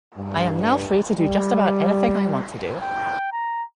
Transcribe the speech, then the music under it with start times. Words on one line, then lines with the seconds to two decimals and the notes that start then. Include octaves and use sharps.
I am now free to do just about anything I want to do.
0.18 G2
1.18 G3
2.82 G5
3.32 A#5